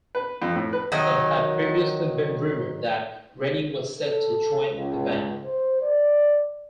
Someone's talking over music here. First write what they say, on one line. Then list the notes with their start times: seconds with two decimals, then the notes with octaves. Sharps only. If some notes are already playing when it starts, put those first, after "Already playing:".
It had previously been rumoured that Reni was set to join the band.
0.15 B4
0.42 F2
0.55 A2
0.73 B4
0.92 D#3 F#3 D#5
3.99 A4
4.71 C#2
5.45 C5
5.81 D5